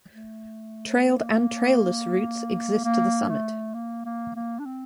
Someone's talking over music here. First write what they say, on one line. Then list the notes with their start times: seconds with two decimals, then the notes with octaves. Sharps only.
Trailed and trailless routes exist to the summit.
0.11 A3
1.02 A#3
2.84 A#3
3.29 A3
3.74 A#3
4.05 A#3
4.36 A#3
4.59 D4
4.65 C4